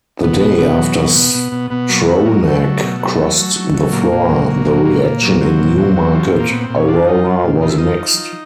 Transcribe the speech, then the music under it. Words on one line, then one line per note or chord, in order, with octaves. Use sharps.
The day after Stronach crossed the floor, the reaction in Newmarket-Aurora was mixed.
B2 B3
B2
B2
F#3
B2
B2
B2
B2
B2 B3
F#3 A#3
F#3 B3
A3
F#3 A#3
F#3 A3
F#3
B2
F#3
F#3
F#3
F#3
F#3
A#2 A#3
A#2
F#3
A#2
F#3
A#2
A#2
F#3
F#3 C4
A#2
F#3
F#3
F3
A#2
A#3
A#2 B3
C4
A#2
C#4
F3 D4
F3 D#4
F3
A#2
F3 D#4
E4
F3 D#4
F3
F3